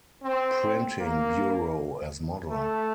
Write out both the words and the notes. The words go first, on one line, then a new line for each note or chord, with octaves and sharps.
Printing Bureau as model.
C4
A#3
A3